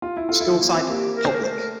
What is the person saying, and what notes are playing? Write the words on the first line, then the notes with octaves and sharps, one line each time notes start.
School type: Public.
F4
E4
F4 A4
E4
A4
A#3 E4
C4
F4
A#3 G4
A#4
C5
A#4
A3 C5
A#4